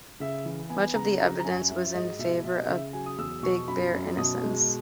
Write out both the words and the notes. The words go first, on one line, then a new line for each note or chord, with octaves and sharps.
Much of the evidence was in favour of Big Bear innocence.
C#3 E5
E3
B3 G#5
C#3 A#5
F#3 A#5
A#5
F#2 G#5
F#3 E5
G#2 D#5
B2 E5
B2 E5
D#5
C#3 E5
F#3 G#5
D#6
E2 E6
B2 C#6
F#2 B5
F#2
B2 D#6
G#3